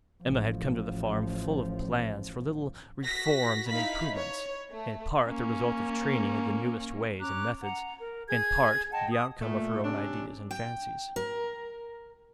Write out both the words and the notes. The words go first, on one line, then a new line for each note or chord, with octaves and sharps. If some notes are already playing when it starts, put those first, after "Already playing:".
Emma had come to the farm full of plans for little reforms and improvements, in part the result of training in the newest ways and methods, in part the outcome of her own ideas and fancies.
A1 F3
F#4 A#6 B6
D#4 E4 F5 B5 B6
C#5
A3
A#3 C#4
C#4 A#5 D6 F#6
F#5 A#5
A#4
G#4 G#6
D#5 F#5 G5 A5
D#6
A#2 A3
C3 C#4 D4
G5
A#4